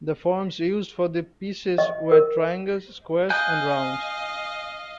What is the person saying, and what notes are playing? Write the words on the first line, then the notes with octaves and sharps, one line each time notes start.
The forms used for the pieces were triangles, squares, and rounds.
D#5
A#4
D#5 F5 G#5 F#6 G6